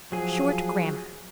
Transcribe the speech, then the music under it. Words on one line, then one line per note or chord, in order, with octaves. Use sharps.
Short Grammar.
F3 F#3 G#4